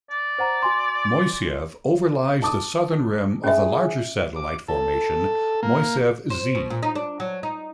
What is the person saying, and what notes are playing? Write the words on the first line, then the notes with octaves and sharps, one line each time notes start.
Moiseev overlies the southern rim of the larger satellite formation Moiseev Z.
D5
C5 F#5 A#5
F#4 G#5 C6
A5 D6 D#6
C#4 G#4 E5
D6
A4
A#3
C5
B2
A#2
D#4
D4
F#3
D#4